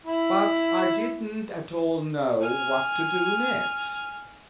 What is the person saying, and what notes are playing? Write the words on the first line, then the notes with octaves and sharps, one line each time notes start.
But I did not at all know what to do next.
E4
G#5 F6